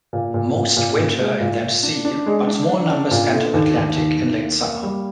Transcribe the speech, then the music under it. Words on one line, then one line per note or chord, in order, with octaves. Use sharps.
Most winter in that sea, but small numbers enter the Atlantic in late summer.
A#2
A#2
A#2
A#2
A#2
G#3
A#2
A#2
D4
D4
G#3
D4
D4
D4
A#2
D3
D#2
D#2
D#2
D#2
A#3
A#3
G3